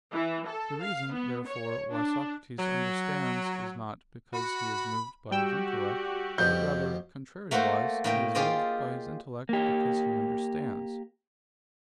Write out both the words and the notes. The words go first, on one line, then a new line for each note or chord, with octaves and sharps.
The reason therefore why Socrates understands is not because he is moved by his intellect, but rather, contrariwise, he is moved by his intellect because he understands.
E3
A4
F5
B3
C#5
D4
F#3
F#4 B5
G3 F#4 G4 G5 E6
F2 B2 G6
A3 A#3 F#4 A4 C5
A2 A#3 G5
F4 G4 G#4 C5 D5 D#5
A#3 G4